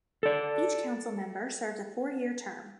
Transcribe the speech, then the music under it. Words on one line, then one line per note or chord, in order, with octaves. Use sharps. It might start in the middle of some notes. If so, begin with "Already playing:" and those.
Each councilmember serves a four-year term.
A4 D5